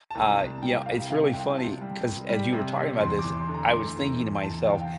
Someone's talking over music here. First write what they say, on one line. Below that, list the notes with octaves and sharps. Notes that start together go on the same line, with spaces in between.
uh, you know, it's really funny, 'cause as you were talking about this, I was thinking to myself,
A5
C2 A#5
C2 A5
G3 G5
C2 F5
C3 F5
C2 G5
C3 A5
G3
C2
G3
C3
C3
E2 C6
D6
E2
C6
D3
A#5
C6
A3 A#5
E2
E2
E2 A5
E2 F5
G5